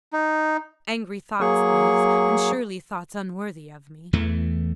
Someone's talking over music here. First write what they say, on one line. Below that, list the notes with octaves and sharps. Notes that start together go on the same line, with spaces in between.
Angry thoughts these--and surely thoughts unworthy of me?
D#4
F#3 A#3 G#4 C#6
E2 E3 A3